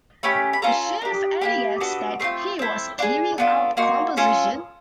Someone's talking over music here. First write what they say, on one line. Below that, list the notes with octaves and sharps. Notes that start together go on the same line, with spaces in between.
The shift indicates that he was giving up composition.
A3 C#4 G4 B5
B5
C#4 F4 A4 A#5
D4 G4
A#3 D4 G4 B5
B3 D4 F#4 A4
A3 C4 F4 C6
C4 E4 A4
D4 F4 G#4
B3 D4 F4 A4
A#3 D#4 F#4 C6
C#4 F4 A4